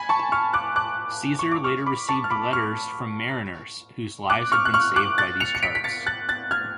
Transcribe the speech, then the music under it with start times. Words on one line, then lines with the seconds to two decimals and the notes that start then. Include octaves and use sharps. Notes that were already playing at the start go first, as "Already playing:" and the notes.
Caesar later received letters from mariners whose lives had been saved by these charts.
Already playing: G#5 B5
0.09 A5 C#6
0.32 C#6 F6
0.53 D6 F#6
0.76 D6 F#6
1.39 C#6
1.52 D6
1.64 C#6 F6
1.86 B5 D6
2.09 A5 C#6
2.24 F6
2.31 B5 D6
2.53 C#6 F6
4.30 D6 F#6
4.52 C#6 F6
4.65 F#6
4.74 C#6 F6
4.96 D6 F#6
5.18 F#6 A6
5.40 C#7 F7
5.55 C#7
5.63 B6 D7
5.75 B6
5.84 A6 C#7
6.06 F#6 A6
6.29 F#6 A6
6.51 F6 G#6